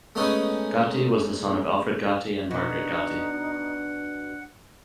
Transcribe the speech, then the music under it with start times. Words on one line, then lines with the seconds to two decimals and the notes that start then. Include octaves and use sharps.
Gatty was the son of Alfred Gatty and Margaret Gatty.
0.15 G#3 A3 B3 C#4 D#4 D#6
2.51 B2 D4 D#4 F#5